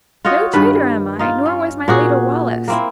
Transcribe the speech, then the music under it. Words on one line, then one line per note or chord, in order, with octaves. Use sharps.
No traitor am I, nor was my leader Wallace.
F4 F#4 C#5 D#5
G2 D#3 B4
D#4 F4
C#4
A#2 F#4 G#4
A#3 C4 E4